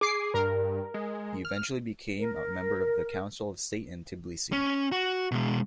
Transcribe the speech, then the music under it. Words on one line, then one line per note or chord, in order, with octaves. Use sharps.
He eventually became a member of the Council of State in Tiblisi.
G#4 D6 C7
G2 A#4
G#3
F6
A#4
C#4
F#4
B2 G#3